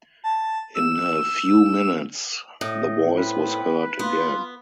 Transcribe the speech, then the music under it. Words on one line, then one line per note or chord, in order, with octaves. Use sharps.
In a few minutes the voice was heard again.
A5
E6
A2 D#5
B3 C4 B4
B3 F4